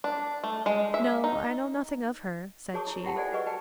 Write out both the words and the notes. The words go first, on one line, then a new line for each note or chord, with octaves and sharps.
'No, I know nothing of her,' said she.
D4
A3
G#3
E5
D#4
F#4 G#4 C#5 A5 C#6 D#6
E4
E4 F4 G4 F#5 G5 A5
A4 C5 D5 F#5 G#5
F#4 G#4 B4 D#5 F#5 C#6
F#4 B4 G5 A5